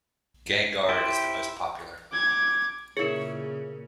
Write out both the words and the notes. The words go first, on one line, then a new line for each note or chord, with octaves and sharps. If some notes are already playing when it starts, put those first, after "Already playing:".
Gangaur is the most popular.
E4 G4 C5
D6 G#6
A#2 C#3 E4 G#4 A#4 C#5